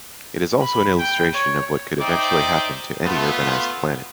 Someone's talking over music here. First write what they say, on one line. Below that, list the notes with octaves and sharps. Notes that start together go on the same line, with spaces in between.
It is also an illustration of what could eventually happen to any urbanized planet.
B5
G5
C#5
D#4 C5 D5 E5 G5 D6
A3 B3 F4